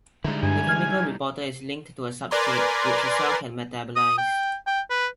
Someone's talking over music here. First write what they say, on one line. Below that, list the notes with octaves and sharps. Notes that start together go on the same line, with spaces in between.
The chemical reporter is linked to a substrate, which a cell can metabolize.
D3 G3 G#3 D#4 E4
G2 G#5
F6 G#6
A#4 B4 D5 G#5 A#5 C6
D#6
G5
G5
B4